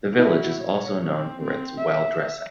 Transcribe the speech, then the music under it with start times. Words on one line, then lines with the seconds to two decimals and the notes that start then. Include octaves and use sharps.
The village is also known for its well dressing.
0.12 E4 F#4
0.59 C#5
1.09 C4
1.43 C4
1.77 E5